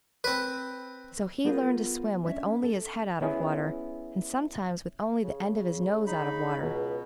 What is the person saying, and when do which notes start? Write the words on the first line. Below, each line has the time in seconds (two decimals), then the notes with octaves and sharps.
So he learned to swim with only his head out of water, and sometimes with only the end of his nose out of water.
0.24 C4 B4
1.44 B3 F4 G#4 A#4 C5 F5
2.26 C#4 D4 E5
2.63 A4
3.21 B3 C#4 E4 G#4
5.24 C#3
6.07 D#4 B5
6.61 C#2 B2